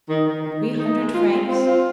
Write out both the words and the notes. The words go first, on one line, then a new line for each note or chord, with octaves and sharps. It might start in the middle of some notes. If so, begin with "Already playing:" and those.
"Three hundred francs?"
D#3
D#3
D#3
D#3
D#4
G#3
F4
C4
C4
F4